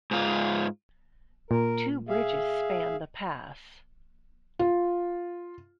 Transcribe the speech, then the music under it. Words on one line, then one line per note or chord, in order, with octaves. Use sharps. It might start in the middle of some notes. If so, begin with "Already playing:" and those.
Two bridges span the Pass.
G#2 F4
A#2 A#4
G#4 E5 F5
F4